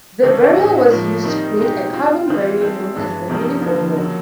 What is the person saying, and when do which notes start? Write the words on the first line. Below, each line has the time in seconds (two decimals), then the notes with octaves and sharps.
The Beryl was used to create a carbine variant known as the Mini-Beryl.
0.22 E2 C#3 E3 A3
0.56 A2 F#3 B3 D#4
0.90 A2 F3 A#3
1.24 D#3 G3 C4 D#4
1.58 B2 G#3 C4 D#4 G4
1.92 G3 C4 F4
2.26 E3 G3 C4 F4
2.60 G#3 C4 E4 A4
2.94 G2 E3 G#3 B3
3.28 F2 C3 D#3 G3 A#3
3.62 F2 D3 G3 A#3
3.96 F2 C#3 F#3 A#3